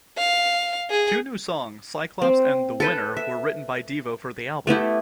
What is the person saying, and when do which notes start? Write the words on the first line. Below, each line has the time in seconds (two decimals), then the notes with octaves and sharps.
Two new songs, "Cyclops" and "The Winner", were written by Devo for the album.
0.18 F5
0.90 G#4
2.22 C4
2.80 A4 B4 G5
3.17 E5
4.67 A3 B3 E4 G4